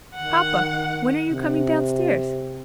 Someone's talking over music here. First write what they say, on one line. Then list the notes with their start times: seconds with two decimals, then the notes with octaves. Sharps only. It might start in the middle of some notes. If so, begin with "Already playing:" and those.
Papa, when are you coming down stairs?
0.15 D#3 F#5
1.31 C3